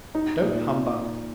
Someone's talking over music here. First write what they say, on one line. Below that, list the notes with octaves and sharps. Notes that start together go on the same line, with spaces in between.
'Don't humbug!
D#4
A#2